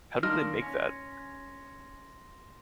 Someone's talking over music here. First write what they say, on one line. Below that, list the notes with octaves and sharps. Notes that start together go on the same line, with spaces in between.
How did they make that?
D#3 A#3 D4 D#4 C6 F6 A#6
C#4